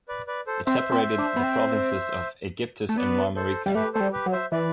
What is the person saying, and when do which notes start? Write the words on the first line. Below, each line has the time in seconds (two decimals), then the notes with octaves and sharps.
It separated the provinces of Aegyptus and Marmarica.
0.08 B4 D5
0.27 B4 D5
0.47 A4 C5
0.66 C4 C5 E5
0.92 C4
1.18 D4
1.36 B3
1.43 C4
2.89 A3
2.97 B3 B4 D5
3.36 A4 C5
3.66 G3
3.75 A3 G4 B4
3.94 A3 A4 C5
4.00 G3
4.13 G4 B4
4.26 F#3
4.32 C5 E5
4.52 E3 B4 D5